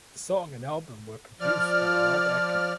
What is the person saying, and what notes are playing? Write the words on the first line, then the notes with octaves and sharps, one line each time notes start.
The song and album were produced by Rob Aickin.
F3 D5 F6